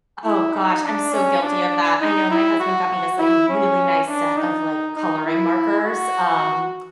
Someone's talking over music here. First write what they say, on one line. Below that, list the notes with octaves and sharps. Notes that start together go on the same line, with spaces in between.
Oh gosh, I'm so guilty of that, I know. My husband got me this, like, really nice set of, like, coloring markers, um,
E4
D#4
D4
C#4
D4
D#4
E4
F#4
E4
C#4
D4
D#4
D#4
E4
F#4